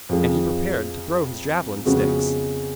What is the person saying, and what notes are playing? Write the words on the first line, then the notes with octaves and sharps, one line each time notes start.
And he prepared to throw his javelin-sticks.
F2 F3 G#3
F2 C#3 G#3 B3 F#4